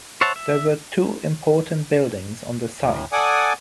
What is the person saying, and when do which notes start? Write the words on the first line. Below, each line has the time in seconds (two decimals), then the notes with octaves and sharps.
There were two important buildings on the site.
0.21 C5 C#5 E5 F#5 A5
0.36 E5
2.80 D2 A2
3.13 A4 D5 F#5 G#5 D6 D#6